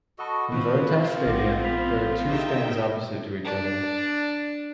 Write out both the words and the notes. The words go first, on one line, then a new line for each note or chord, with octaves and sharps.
In Veritas Stadion there are two stands opposite to each other.
F#4 A4 D#5 A5 B5 C#6
D#3 F3 C4 B4
F4
A#1 F#5 D6 A#6
B5 B6 F7
D#4 G4 G#4 E5 G5
D4